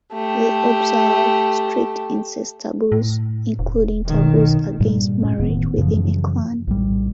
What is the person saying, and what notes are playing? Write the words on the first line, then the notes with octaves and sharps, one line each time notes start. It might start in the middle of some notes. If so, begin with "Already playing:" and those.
They observe strict incest taboos, including taboos against marriage within a clan.
A3 G4
A2
E1
B1 D#3
G2 A#2 G3
A2 C#4
E1 A2 D#3 B3
F#2 C#3 E3 F3
A#1 A2 G3